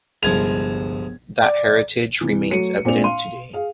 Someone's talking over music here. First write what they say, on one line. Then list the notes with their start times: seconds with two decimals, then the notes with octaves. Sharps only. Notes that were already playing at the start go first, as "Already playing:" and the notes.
That heritage remains evident today.
0.23 G1 C2 F3 G#3 G#6 F7
1.43 D5
2.21 C3 E3
2.50 F#3 A3 F#4 C#7 D#7
2.85 A#2 C4 D4 D5 F7
3.04 F5 C6 D#7
3.53 G#4 F5